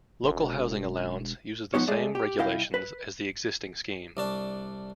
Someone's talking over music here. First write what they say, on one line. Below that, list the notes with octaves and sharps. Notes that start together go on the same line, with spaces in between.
Local Housing Allowance uses the same regulations as the existing scheme.
E1
G#2 C3 F3 B3 D#4 C#5
G#3 A3 G#4 D5
G4
C2 E4 D#5 F5 G5
B4
C2 D4 A5